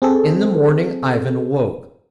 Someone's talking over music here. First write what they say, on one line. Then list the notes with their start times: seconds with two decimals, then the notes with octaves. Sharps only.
In the morning Ivan awoke.
0.02 C4 G#4 A4